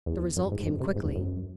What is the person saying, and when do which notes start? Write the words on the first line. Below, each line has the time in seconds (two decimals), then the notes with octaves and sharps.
The result came quickly.
0.06 E2
0.36 F#2
0.52 G#2
0.66 F#2
0.80 C3
0.96 G#2
1.05 E2
1.16 F#2